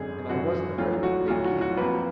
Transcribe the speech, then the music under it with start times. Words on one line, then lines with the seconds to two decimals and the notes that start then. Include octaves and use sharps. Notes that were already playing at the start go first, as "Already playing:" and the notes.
And I wasn't afraid to think either.
Already playing: G#1 F#2 D3 G#4
0.28 G#1 F#2 D3 F#4
0.78 D2 D3 F#3 F4
1.03 F#4
1.28 D2 D3 F#3 F4
1.45 F#4
1.61 F#4
1.77 F2 F3 A#3 B4